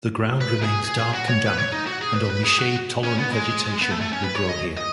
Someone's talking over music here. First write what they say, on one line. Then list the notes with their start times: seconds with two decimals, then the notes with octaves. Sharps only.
The ground remains dark and damp and only shade tolerant vegetation will grow here.
0.41 B4
0.63 G#4
0.84 G#4
0.99 G#4
1.14 F#4
1.29 C#5
1.46 B4
1.58 C#5
1.72 D#4
1.87 F#4
2.02 G#4
2.16 B4
2.30 B4
2.44 G#4
2.59 F#4
3.04 C#4
3.18 B3
3.33 G#3
3.82 B3
3.91 A3
4.01 A3
4.13 C#4
4.24 B4
4.35 C#5
4.49 D#5
4.77 D#5